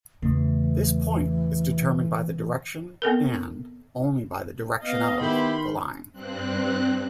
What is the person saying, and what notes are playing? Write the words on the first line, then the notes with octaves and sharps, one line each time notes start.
This point is determined by the direction-and only by the direction-of the line.
E2 C#3 E3 A3
B3 C4 A4 A#4
B3 D#5 F5
D#3 E4 G4 B5 C6
G2 C4 F#6